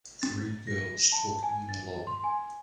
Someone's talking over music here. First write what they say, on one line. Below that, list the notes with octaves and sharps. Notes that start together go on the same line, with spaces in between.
Three girls talking in a lobby.
A6
A#6
A5
G#5
A6
C6
G#5